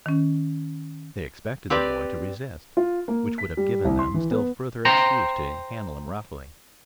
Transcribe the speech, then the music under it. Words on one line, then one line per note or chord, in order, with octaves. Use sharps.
They expected the boy to resist, which would have given them still further excuse to handle him roughly.
D#3 C#4
C4 G4 B4 D5
F4
A#3
B6
G3
C2
C6
E3
B3
C5 G5 A#5